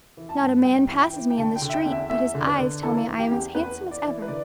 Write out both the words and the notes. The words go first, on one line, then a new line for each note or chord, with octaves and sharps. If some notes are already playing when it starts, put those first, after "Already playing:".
Not a man passes me in the street but his eyes tell me I am as handsome as ever.
E3
A5
G2
G2 G5
E3
G5
E3
G5
D3 A5
G5
D3
E5
G5
E2
E5
E2 E5
D3
D5
B4
D3
E3 A4
E3
G4
E2
E2 B4
E3
D5
E3
B4
D3 D5